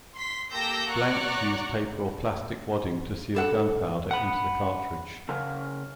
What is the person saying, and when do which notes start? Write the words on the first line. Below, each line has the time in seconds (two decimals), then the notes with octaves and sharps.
Blanks use paper or plastic wadding to seal gunpowder into the cartridge.
0.16 C6 B6
0.53 A#3 G4 A4 E6 G6 A#6
0.90 F#4 D5 A#5 C#6 F#6
3.35 G3 A4 F#5
4.11 F#5 B5
5.29 C#3 A#4